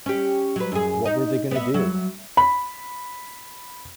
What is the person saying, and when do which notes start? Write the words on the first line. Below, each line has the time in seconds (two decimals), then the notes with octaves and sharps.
What were they going to do?
0.06 C#4 G4
0.56 F#3 B4
0.72 F#2 G#4
1.05 D#4
1.51 B3 E5
1.74 F#3
2.37 B5